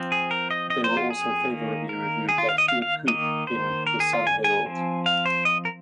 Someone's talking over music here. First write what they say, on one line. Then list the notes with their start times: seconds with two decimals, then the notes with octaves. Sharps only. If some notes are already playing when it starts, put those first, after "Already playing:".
They were also favourably reviewed by Stuart Coupe in the "Sun Herald".
Already playing: F3 C4
0.12 G#4
0.31 A#4
0.51 D#5
0.70 D#5
0.84 C5
0.97 F4
1.10 G#4
1.50 D#3 A#3
1.89 A#4
2.29 G#4
2.38 F4
2.49 F5
2.58 D#5
2.68 F5
2.82 F5
3.08 D#3 A#3 D#5
3.47 C5
3.87 A#4
4.00 G#4
4.13 F4
4.27 G#5
4.44 G#5
4.66 F3 C4
5.06 F5
5.26 C5
5.45 D#5
5.65 A#4